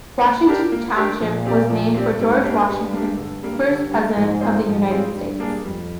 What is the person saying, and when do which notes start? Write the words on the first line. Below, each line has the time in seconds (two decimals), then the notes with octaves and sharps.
Washington Township was named for George Washington, first president of the United States.
0.22 A#3
0.47 D4 G4 A#4
0.72 A#3
0.96 D4 G4 A#4
1.20 A#2 F3
1.46 C4 G4 D5
1.70 F3
1.95 C4 G4 D5
2.20 G#2 G3
2.44 A#3 D4 G4
2.69 G2 G3
2.93 A#3 D4 G4
3.17 G2 D3
3.43 G3 A#3
3.68 D3
3.92 G3 A#3
4.16 G#2 F3
4.41 C4 F4 G#4 C5
4.66 G#2 F3
4.90 C4 F4 G#4 C5
5.15 G2 G3
5.40 A#3 D4 G#4
5.64 F2 G3